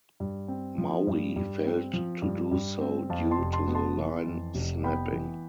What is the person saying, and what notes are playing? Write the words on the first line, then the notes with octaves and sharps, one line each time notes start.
Maui failed to do so due to the line snapping.
G2
C4
F3
G2
G2
C4
F3
G2
G2
C4
F2 F5 A5
A5 C6
F1
A5 C6
B3
A5 C6
E3
F2
F1
B3 G5 B5
E3